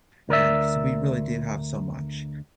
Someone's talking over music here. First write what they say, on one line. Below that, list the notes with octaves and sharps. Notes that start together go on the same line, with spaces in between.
and 'cause we really do have so much,
D2 A#4 D5 E5